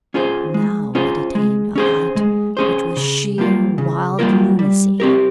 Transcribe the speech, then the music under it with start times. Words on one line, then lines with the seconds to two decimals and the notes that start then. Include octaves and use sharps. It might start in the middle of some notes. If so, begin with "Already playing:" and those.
Now it attained a height which was sheer wild lunacy.
0.14 C#4 F4 G#4 C5
0.54 G#3
0.95 C#4 F4 G#4 C5
1.35 G#3
1.76 C#4 G#4 C5
2.16 G#3
2.57 C#4 G#4 C5
2.97 C#3
3.38 G3 A#3 F4 A#4
3.78 C#3
4.19 G3 A#3 F4 A#4
4.59 G3
5.00 C4 G4 A#4